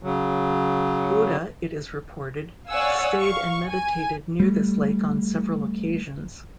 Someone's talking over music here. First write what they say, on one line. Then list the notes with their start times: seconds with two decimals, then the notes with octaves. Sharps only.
Buddha, it is reported, stayed and meditated near this lake on several occasions.
0.03 C#3 F#3
2.69 C#5 D5 F5 F#5 G#5 E6
3.20 F5 C#6
3.67 G#5
4.40 G3 A3